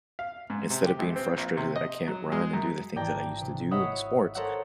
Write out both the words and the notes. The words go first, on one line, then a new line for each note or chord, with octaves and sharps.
instead of being frustrated that I can't run and do the things that I used to do in the sports,
F5
G#2
C3
G4
G#1
C4
A#1
C3
D#5
F#3
G#3
F#2
G#1 E3 D5 G5 A5 A#5
C3 D4
C#5 D#5 E5 F#5 B5 D#6
A4 A#4 C5 C#5 E5 F#5